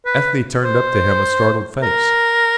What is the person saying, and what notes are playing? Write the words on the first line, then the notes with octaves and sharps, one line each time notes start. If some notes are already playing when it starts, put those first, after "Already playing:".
Ethne turned up to him a startled face.
B4
C5
A#4